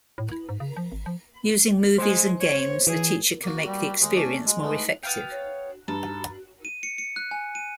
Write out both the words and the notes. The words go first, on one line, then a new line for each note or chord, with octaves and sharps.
Using movies and games the teacher can make the experience more effective.
A2
E4
G#2
C#3
F3
G#1
F3
G#3 C5
C#5
E3 G#4
A#3 F#4
G3
D#2 G#3 D#4
A3 C#4 D4
G#3
A3 B3
B3 F5 G5
C#5
G2 A4 A#5
D#7
C#7
C#7
F#6
G#5
D#7